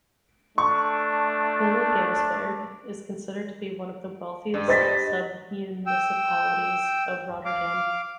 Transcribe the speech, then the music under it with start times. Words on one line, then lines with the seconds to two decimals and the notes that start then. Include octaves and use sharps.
Hillegersberg is considered to be one of the wealthiest sub-municipalities of Rotterdam.
0.58 A3 D4 C#6
4.54 G2
4.68 C5 D#5 A6 B6
5.86 G5 E6
7.45 F5 D6